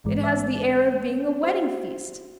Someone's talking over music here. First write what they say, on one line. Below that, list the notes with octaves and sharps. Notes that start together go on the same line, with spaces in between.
It has the air of being a wedding feast.
A1 G#2 E3 G#3
E5
F#4 C5